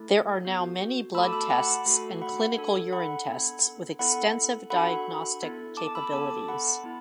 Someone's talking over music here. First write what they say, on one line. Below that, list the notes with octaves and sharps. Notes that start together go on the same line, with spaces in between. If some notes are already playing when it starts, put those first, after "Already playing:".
There are now many blood tests and clinical urine tests with extensive diagnostic capabilities.
Already playing: A3 E4 A4
B3 F#4 A4
A3 F#4 A4 B5 E6
A5 D6
B5 E6
A5 D6
F#5 B5
A3 F#4 A4
F#5 B5
D4 A4
F#5 B5
B3 D4 A4
B3 E4 A4 F#5 B5
D4 F#4 A4 F#5 B5
B3 E4 A4
A5 D6
B5 E6
B3 D4 A4 A5 D6
A5 D6
F#5 B5
B3 E4